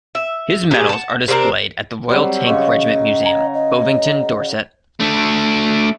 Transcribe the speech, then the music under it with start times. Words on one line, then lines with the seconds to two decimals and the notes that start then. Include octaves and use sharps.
His medals are displayed at the Royal Tank Regiment Museum, Bovington, Dorset.
0.15 E5
0.71 A#2 G4 G#4
0.89 F#5 A5
1.28 C3 C4 D4 A#4
2.09 F#3 G3 C4
2.46 C#3 D#5 C#6
3.22 G#5 A#5
3.54 D#5
5.00 A3 D4